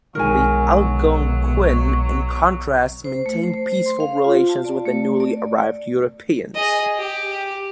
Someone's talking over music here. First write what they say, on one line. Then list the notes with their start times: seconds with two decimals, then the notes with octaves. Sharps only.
The Algonquin in contrast maintained peaceful relations with the newly arrived Europeans.
0.15 B1 D#3 F#3 G#3 A#4 G#5
3.04 C5
3.26 A3
3.43 C5
3.72 C5
3.86 C6
4.00 F5
4.24 F4
4.49 A5
4.65 D5
4.85 A3
5.20 D5
6.55 G#4 D#5
6.98 G4